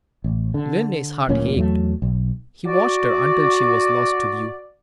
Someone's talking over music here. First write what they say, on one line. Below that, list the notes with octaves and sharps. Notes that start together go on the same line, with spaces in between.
Linley's heart ached; he watched her until she was lost to view.
A1
D3
D1 A1 A#2 C#4
E2 F#3 G3 A3
B1
F#4 D5